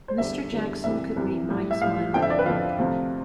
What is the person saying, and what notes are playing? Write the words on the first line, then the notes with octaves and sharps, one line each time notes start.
Mr. Jackson could read Mike's mind like a book.
C5
E2 D3 G3 E5
E2 D3 G3
C2 C3 E3 G3 E5
C2 C3 E3 G3
A2 G3
E5
A2 G3 F5
F2 D3 F3 G5
E5
D5
B4
F2 D3 F3 F4
D2 C3 F3